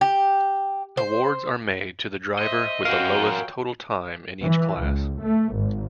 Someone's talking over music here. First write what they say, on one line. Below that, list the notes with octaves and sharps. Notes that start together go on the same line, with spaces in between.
Awards are made to the driver with the lowest total time in each class.
G4
C5
C5 D#5 E5
F#4 A#4 C#5 F5 G5
E3
C#2
A3
G#1